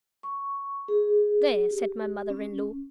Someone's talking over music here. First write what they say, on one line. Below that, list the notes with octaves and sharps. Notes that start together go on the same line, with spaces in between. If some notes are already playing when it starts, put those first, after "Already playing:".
"There!" said my mother-in-law.
C#6
G#4
G4
C#4